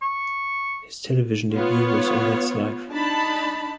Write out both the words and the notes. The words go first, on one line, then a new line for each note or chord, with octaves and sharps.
His television debut was on That's Life!
C#6
B3 F4 C#5
D4 D#4 A5 B5